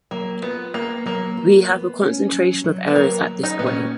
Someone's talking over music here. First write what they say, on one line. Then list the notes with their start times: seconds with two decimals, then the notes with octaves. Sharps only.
We have a concentration of errors at this point.
0.11 F#3 A#3
0.42 B3 F4
0.74 A#3 B3
1.06 F#3 A#3
1.37 F4
1.69 B3
2.01 C#4
2.32 F#3
2.64 F#3
2.87 B3
2.95 F#3 A#3
3.27 F#3
3.43 D#4
3.59 A#2 B3
3.66 C#4